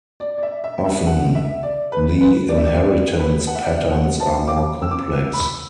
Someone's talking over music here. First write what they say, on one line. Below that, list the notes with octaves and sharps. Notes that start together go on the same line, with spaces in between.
Often, the inheritance patterns are more complex.
D5
D5
E5
E5
E5
F#5
E5
D5
B4
B4
D5
E5
D5
D5
B4
F#5
E5
D5
F#5
A5
D6
E6
D6
B5